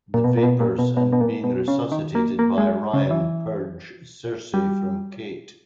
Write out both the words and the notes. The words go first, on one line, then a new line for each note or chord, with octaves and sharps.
The vapors and being resuscitated by Ryan purge "Circe" from Kate.
A#2
B2
A#2
B2
A#2
B2
B2
B2
A#2
B2
C#3
D#3
A#3
A#3
G#3
C#3
E3
G3